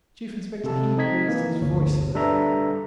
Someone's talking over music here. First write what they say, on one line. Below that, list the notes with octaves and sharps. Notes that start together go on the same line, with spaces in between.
Chief Inspector Heat raised his voice a little.
C3 A4 A5
C4 D#4 D#5 G#6 B6
E3 A#3
G1 D2 C#5
G3 D4 A4 B4 E5 A#5